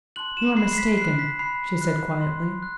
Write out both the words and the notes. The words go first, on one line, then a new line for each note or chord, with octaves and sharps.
"You are mistaken," she said, quietly.
A5 C6 F#6 F#7
E7
B5 F#6 C7
C7
B6
B5 F#6 C7
B6
B5 F#6 C7
B5 F#6
C6 F#6
F#6